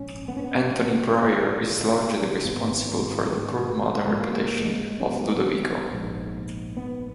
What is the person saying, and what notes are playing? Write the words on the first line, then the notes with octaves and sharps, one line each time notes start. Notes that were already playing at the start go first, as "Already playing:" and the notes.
Anthony Bryer is largely responsible for the poor modern reputation of Ludovico.
Already playing: A#1 G#2 C#4
B3
C#4
B3
C#4
G#1 G#2 B3
G#3
A#3
G#3
C#4
B3
A#1 G#2
B3